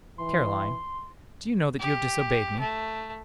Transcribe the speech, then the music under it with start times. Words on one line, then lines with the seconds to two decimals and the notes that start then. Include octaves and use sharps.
"Caroline, do you know that you have disobeyed me?"
0.18 E3 C6
1.79 G4
2.60 A3